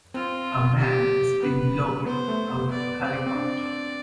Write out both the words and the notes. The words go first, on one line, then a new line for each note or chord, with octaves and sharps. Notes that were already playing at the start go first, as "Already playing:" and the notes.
A man is being lowered out of a helicopter.
C4 F4
G4
B3 B4
B3 C5
A3
B3
B3 D5
C4 D5
C4
D4